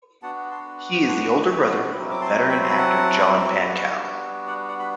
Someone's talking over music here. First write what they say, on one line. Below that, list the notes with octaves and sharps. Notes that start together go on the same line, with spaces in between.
He is the older brother of veteran actor John Pankow.
B3 D4 F#4 F#5 A5
A5 C6
A5 C6
E5 G5
A5 C6
F#3 C4 E4
D6
A5 C6
G5 B5
C6
B5
F#5 A5
G3 B3 D4 F#4
D5 F#5
D5 F#5
B5